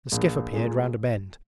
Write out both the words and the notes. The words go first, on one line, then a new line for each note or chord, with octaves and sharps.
The skiff appeared round a bend.
A#1
A#2 G#3